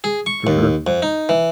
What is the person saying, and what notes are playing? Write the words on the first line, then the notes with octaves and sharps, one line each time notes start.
For sure.
G#4
C#6
D#2
F2
D#4
E3